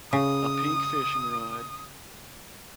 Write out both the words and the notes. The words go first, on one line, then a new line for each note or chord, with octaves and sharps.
a pink fishing rod."
C#3 D#6